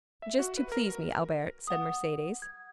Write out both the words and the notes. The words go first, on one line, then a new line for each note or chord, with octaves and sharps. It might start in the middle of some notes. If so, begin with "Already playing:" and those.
"Just to please me, Albert," said Mercedes.
E5
F#4
B4
A#4
F#5 D#6
G#6